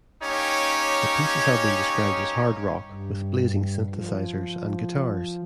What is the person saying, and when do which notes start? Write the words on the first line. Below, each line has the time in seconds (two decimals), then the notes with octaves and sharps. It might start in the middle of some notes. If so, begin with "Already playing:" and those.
The pieces have been described as "hard-rock" with "blazing synthesizers and guitars".
0.23 A#3 C#4 D#4 G4 C#5
2.85 G2
3.93 F3